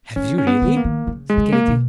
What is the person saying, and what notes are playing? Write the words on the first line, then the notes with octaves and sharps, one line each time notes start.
"Have you, really?" said Katy.
D#3 C#4
C#4
B3
D#3
A#3
D#3
C#3
G#3
C#3
A#3
B2